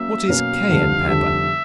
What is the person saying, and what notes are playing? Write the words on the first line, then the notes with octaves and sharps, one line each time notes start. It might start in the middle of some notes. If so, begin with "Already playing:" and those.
What is Cayenne Pepper?
Already playing: F#3 A#3 C#4 E5
B2 F#3 A#3 C#4 F5
F1 F2 D3 G3
F1 F2 D3 G3 E5